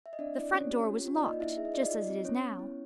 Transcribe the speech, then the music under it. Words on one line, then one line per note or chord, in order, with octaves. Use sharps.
The front door was locked, just as it is now.
E5
D#5
C4 D4 D5
D4 E4 D5
C4 C#4 C#5
G4
F4
F4
D5
A#3 D#4 D#5
D4 E4 E5
G#4 E5
D#5
F4 D5
D#4 D#5
F4
C4
B3 C#4 C#5
B3
E4